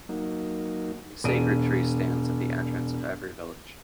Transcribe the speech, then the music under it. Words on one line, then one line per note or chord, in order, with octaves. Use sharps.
A sacred tree stands at the entrance of every village.
F#3 A#3 D#4
E1 D5 D7 D#7